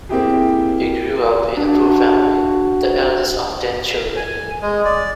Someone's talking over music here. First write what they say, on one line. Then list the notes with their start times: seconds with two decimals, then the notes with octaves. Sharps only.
He grew up in a poor family, the eldest of ten children.
0.09 A#3 C4 E4 G4 G#4
1.57 D4 F#4
4.17 G#5
4.62 G#3
4.85 D5